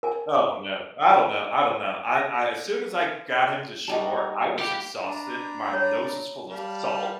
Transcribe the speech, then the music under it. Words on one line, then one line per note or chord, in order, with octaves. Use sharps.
Oh, no. I don't know, I don't know, I uh, as soon as I got him to shore, I was exhausted, my nose is full of salt,
A#4 G#5
A#6
G3 D#4 F#4 D#5 G5 A5
G4 B4 F5
D4 A#5 B5
C#5
G3 F5 A5